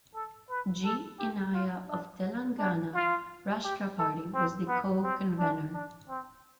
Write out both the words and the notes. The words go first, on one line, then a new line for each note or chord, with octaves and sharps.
G. Innaiah of Telangana Rashtra Party was the co-convenor.
A4
B4
A4
G4
F4
D4
D4
F4
G4
A4
C4
B3
C4
D4
D4
C4